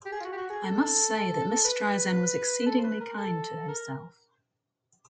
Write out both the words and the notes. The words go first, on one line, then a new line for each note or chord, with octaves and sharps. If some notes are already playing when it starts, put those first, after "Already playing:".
I must say that Miss Streisand was exceedingly kind to herself.
G4
G#4
F4
F#4
G4
F#4
G#4
A4
B4
A4
C5
B4
A#4
A4
A#4